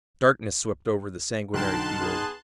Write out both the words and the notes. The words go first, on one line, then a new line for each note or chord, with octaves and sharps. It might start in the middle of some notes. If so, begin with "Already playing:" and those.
Darkness swept over the sanguinary field.
B1 D3 B3 D#4 G5 A5 C6 F#6
B3 G#4